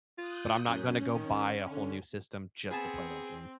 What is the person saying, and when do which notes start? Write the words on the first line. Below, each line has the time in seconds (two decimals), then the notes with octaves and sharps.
but I'm not gonna go buy a whole new system just to play that game.
0.18 F4 D#6 F#6 G6
0.68 F#2 C#4
1.13 D#3
1.70 D3
2.71 B3 C4 G#4 G#5 A5